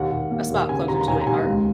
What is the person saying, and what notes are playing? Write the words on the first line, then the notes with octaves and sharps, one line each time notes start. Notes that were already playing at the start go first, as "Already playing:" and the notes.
a spot closer to my heart.
Already playing: D#2 F#5
D#2
A#3
D#2
C#3 G#5
D#2 A#5
A#5
D#2 G#5
A#5
D#2 G#5
C#2